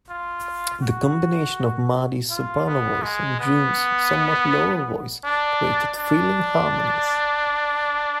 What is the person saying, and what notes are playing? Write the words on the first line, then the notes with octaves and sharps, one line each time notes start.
The combination of Maddy's soprano voice and June's somewhat lower voice created thrilling harmonies.
F4
F#4
F4
B3
G#3
B3
D4
D4